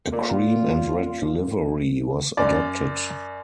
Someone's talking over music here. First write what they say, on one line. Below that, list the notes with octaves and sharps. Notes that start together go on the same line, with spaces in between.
A cream and red livery was adopted.
A#3 F4 A#4 D5
F#2 D5